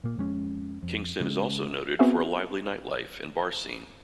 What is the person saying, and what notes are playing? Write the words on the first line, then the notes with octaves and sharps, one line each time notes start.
Kingston is also noted for a lively nightlife and bar scene.
A#2 A#3
F2 G#3 C#4
F2
C#3 G#3
B3 C4 F#4 G#4 E5